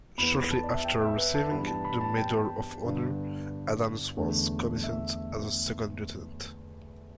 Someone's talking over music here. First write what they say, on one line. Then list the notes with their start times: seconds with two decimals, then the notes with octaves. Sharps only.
Shortly after receiving the Medal of Honor, Adams was commissioned as a second lieutenant.
0.18 E2 E3 B3 B5
0.51 A5
0.63 D5
0.74 E5
0.84 G5
1.01 E5
1.18 B4
1.34 A5
1.51 G2 E3 G3 B3 D4 B5
1.67 A5
1.84 B5
2.01 A5
2.17 G5
2.84 G2 D3 B3 D4
4.17 E2 D3 A3 D4
4.83 E5